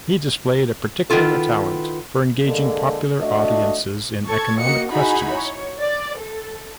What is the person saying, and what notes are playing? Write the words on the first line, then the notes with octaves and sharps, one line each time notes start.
He displayed a particular talent for engaging popular audiences in economic questions.
D#3 B3 E4 F4 A4
D3 G#3 A#3 A4
A3 D4 F#4 D#5
A4 A5 C#6 G#6
A#3 F#4 D#5 C#7
D#4 E4 F#4 G#4 G#5 B5
C#5
D5
A4